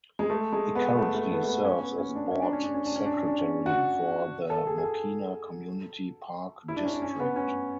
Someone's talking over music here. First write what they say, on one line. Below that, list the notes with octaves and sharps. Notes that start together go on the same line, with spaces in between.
He currently serves as board secretary for the Mokena Community Park District.
G#3
A3
G#3
B3
A3
A3
B3
A3
B3
C#4
B3
C#4
D4
C#4
D4
C#4
D4
C#4
D4
C#4
D4
C#4
D4
C#4
F#4
A4
G#4
G#4
A4
E4
D4
C#4
D4
C#4
B3
C#4